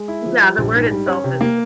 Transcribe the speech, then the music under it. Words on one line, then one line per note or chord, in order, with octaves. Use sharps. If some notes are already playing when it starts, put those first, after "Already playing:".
Yeah, the word itself is
Already playing: G#3
E4
F3
G3
A#1
G#2
G3
C#4
C3
A#3